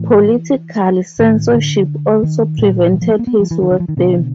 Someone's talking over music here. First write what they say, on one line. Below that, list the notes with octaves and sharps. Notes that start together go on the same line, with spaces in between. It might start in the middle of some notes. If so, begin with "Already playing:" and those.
Political censorship also prevented his work there.
Already playing: A2 E3
A2 D#3
D3
D#3
A#2
E3
F3
A3
A#3
B3
F3
E3
D#3
D3
F3
D#3
B2 D3